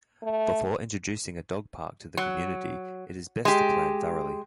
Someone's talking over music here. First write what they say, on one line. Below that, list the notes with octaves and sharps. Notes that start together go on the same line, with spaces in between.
Before introducing a dog park to the community, it is best to plan thoroughly.
A3
F#3
G#3 G4